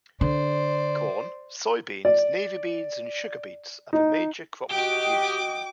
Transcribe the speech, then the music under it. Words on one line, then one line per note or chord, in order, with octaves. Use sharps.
Corn, soybeans, navy beans, and sugar beets are the major crops produced.
D3 C5 D5
D5
D#4
F#4 G4 D#5 G5 D6